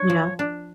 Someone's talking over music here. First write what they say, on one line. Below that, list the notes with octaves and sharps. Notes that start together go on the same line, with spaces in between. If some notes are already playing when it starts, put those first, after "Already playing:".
you know?
Already playing: D4 C#5
F3
D4